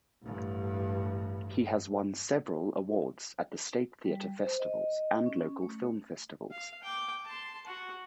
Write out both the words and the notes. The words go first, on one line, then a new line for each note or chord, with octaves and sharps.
He has won several awards at the state theater festivals and local film festivals.
A1 G2
G3
C5
D#5
C#4
A3
F5
G5 D6
A5 C6
F#4